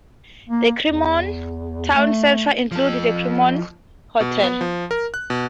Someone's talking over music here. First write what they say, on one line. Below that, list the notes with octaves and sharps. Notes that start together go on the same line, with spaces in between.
The Cremorne Town Centre includes the Cremorne Hotel.
A#3
E2
A3
F3 A4
B2
B3
F3
A#4
F#6
B2